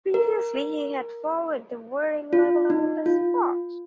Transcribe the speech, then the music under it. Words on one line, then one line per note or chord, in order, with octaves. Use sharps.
Previously he had followed the war in Lebanon on the spot.
A#4
F4
D#4
F4